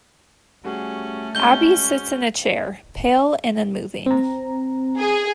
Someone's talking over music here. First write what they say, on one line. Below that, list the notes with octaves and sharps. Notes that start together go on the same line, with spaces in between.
Abbie sits in a chair, pale and unmoving.
G3 A3 C#4 F#4 G#4
G#3 C#4 F#4 G6 G7
C4 A#5
G#4